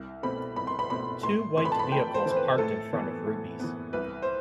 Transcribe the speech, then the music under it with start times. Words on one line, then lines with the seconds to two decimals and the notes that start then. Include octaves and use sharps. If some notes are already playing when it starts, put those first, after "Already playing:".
Two white vehicles parked in front of Ruby 's.
Already playing: C2
0.23 B2 A3 C4 B5
0.56 C2 B5
0.67 C6
0.79 B5
0.90 B2 A3 C4 B5
1.23 A2 C6
1.57 E3 A3 C6
1.65 B5
1.72 A5
1.79 B5
1.91 A2 G5
2.14 C5
2.26 E3 A3
2.32 C5
2.36 B4
2.58 A2 A4
2.93 E3 B3
3.27 A2
3.60 E3 B3
3.93 C2 B4
4.22 C5